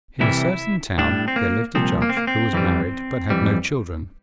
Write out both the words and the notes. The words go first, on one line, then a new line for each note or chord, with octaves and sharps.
In a certain town there lived a judge who was married but had no children.
C2 C3 E3 G3 E4
A2 G3 D4
C4
A#3
C2 A#2 F3 C4
A#3
C4
A#3
C4
F2 E3 G3
F2 E3 G3